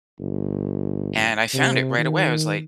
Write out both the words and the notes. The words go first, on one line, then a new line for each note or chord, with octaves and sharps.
and I found it right away. I was like,
G1
C3
D#3